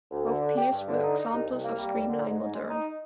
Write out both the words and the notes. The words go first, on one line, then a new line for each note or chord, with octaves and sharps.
Both piers were examples of Streamline Moderne.
D2
D3
D4
G4
G2
D3
D#4
D#4
C2
C2
A#3
G3
D#2
D3
G#2
G#2
G#3
D#4